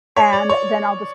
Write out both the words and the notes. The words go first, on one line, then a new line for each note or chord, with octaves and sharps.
and then I'll just
C#5
D5
C#5